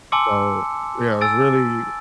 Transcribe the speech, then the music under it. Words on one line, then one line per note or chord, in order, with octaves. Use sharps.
so, yeah, it's really
G#5 A5 C6 D6 E6 C#7
G#5 E6 A6 D7